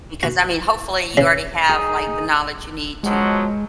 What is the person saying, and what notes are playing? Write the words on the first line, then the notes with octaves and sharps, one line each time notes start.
because, I mean, hopefully you already have, like, the knowledge you need to
F#4
C#3
D#4 G#4
B2 F3 F#3 G#3